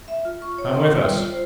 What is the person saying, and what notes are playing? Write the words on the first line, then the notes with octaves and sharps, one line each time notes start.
"Come with us!"
E5
F4
C#6
C#5
C6
F4
G3
F4
C5